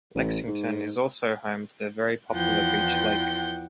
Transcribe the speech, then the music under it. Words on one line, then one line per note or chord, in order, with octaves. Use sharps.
Lexington is also home to the very popular Beech Lake.
A1
G#2
E2 E3 F3 F#5 G5 G6